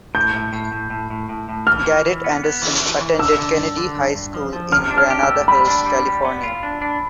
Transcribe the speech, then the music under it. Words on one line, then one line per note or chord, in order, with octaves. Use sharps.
Garret Anderson attended Kennedy High School in Granada Hills, California.
A2 G6
A2
A2
A2
A2
A2
A2
A2
E3 F6
E3
E3
B3
B3
E3
E3
E3
D3 E6
D3
G2
D3
G2
G2
F3
F3
C3 F6
D4
F6
G4
E6
G3
G3 B5
D4
G3
G3
B3
F4
D4
D4